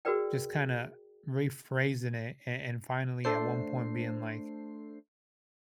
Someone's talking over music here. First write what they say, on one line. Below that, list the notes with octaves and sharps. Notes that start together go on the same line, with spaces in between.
just kinda rephrasing it a and finally at one point being like,
F#4 G#4 A#4 B4 D5 G5
A3 D4 A4 C5 C7